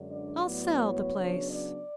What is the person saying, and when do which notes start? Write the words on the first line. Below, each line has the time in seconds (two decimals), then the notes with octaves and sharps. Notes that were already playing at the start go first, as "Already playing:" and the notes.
"I'll sell the place."
Already playing: F#2 D3 G#3 D4
0.09 D5
0.44 A2 F#3 B3
0.79 C#5
1.13 C#3 F#3 B3 D4
1.48 D5